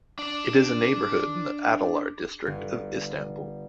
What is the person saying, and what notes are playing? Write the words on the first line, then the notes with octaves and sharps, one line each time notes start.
It is a neighbourhood in the Adalar district of Istanbul.
D4 D5
G1